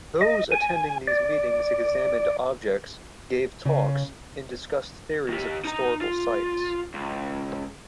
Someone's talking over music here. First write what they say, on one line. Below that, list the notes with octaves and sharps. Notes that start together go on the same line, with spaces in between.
Those attending these meetings examined objects, gave talks, and discussed theories of historical sites.
D#5
G#5
D5
C#3
D#3 G4
D#4 A#5
F4
C#2